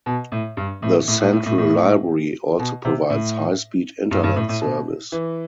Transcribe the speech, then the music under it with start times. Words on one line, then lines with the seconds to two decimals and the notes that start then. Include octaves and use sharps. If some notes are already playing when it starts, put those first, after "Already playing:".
The Central library also provides high speed internet service.
0.06 B2
0.32 A2
0.57 G2
0.82 A2
1.08 A2
1.20 A2
1.33 A2
1.46 A2
1.58 A2
2.59 B2
2.85 C3
3.10 A2
4.11 G2
4.24 G2
4.36 A2
4.49 A2
4.61 B2
5.12 E3